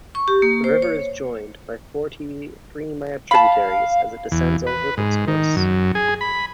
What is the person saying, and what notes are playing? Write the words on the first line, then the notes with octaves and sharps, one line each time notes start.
The river is joined by forty-three minor tributaries; as it descends over its course.
C#6
G4
A#3
C5
C#5
F5 A5 B5
E2
B4
G#2
D#3
F#2
G#4
B5